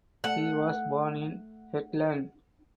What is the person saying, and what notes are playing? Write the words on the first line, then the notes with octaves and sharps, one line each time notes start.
He was born in Hetland.
A3 A4 F#5